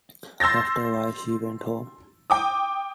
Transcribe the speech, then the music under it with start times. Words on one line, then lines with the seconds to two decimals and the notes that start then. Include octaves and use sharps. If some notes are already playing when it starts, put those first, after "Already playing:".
After a while she went home.
0.40 C6 E6 G6 A6 A#6
2.30 G5 D6 D#6